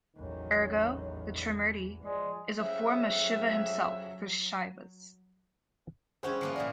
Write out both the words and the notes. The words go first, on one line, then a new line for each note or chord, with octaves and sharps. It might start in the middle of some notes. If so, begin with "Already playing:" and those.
Ergo, the Trimurti is a form of Shiva Himself for Shaivas.
A1 E2 D#3 F#3
F3 G#3 D5
F2 C#3 F#3 E5
G3 C#4 E4 G#4 C5 F#5
F3 A#3 B3
A#2 E3 A#4 D5